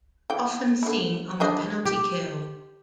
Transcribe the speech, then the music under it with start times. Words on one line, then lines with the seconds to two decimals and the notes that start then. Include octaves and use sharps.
Often seen on the penalty kill.
0.30 E3 G5
0.83 D3 E4
1.40 G3 D4 D#5
1.85 G4